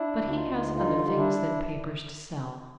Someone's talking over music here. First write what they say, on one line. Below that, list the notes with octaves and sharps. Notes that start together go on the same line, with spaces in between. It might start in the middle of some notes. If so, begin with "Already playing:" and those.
But he has other things than papers to sell.
Already playing: D4 E4
D2
F#4
D#4 F4
D2
D3 D#4 F4
G3 D#4
D4 E4